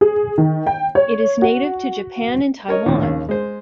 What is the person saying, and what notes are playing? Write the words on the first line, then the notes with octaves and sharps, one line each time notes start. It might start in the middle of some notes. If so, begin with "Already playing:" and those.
It is native to Japan and Taiwan.
G#4
D#3
G5
C#5
F#4
A#4 C#5 D#5
A#1 D#2 A2
D#2 C#3
G#3 C5